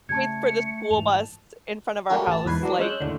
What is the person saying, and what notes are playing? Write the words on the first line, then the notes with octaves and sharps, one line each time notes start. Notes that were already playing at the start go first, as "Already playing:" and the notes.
waits for the school bus in front of our house, like,
C#3 G3 A3 A5 G#6 C#7
G#2 E3 A5 F7
A5
G3 A3 A#3 C#4 F#4 A#4
A1 A5
E2 G#2 B4 G#6 C7
E3 F#3 D4
G#3 C#4 E6 F#6 G6
D#2 A2 D3